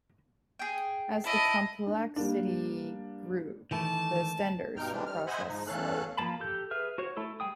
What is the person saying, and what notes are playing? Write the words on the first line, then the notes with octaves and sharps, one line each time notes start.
As the complexity grew, the standards process slowed.
G#4 G5
E4 D#5 A5
D4
G3 A#3 D4
D#3 E3 A3 A5
G2 B2 D#4 G5 F6
A2 C3 E3 G3 G#3 D4
G3 F6
C5 D#5 E5 F#5 G#5 B5
G#2 F3 D#4
E2 A3 C#4 A4 F5 F#6
F3 A3 A#3 A5 B5
G4 A4 G6
G#4 B4 E5 F6
F#4 C5 C#5
A3 E4 A4
G3 G#4 G5 D#6